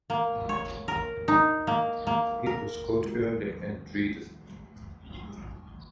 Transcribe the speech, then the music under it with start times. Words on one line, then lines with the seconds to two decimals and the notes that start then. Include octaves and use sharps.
It was caught early and treated.
0.10 A#3
0.49 C#5
0.88 A#4
1.28 D#4
1.67 A#3
2.07 A#3
2.46 A#4